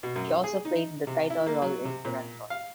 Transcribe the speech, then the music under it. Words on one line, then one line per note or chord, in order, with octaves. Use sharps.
She also played the title role in "Turandot".
B2
F#2
G#4
D#4
C3
E4
A#3
F#3
C3
A#2
F5